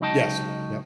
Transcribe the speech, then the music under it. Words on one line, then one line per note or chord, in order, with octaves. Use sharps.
Yes. Yep.
C#2 F#3 D#4 D#5 G5 A5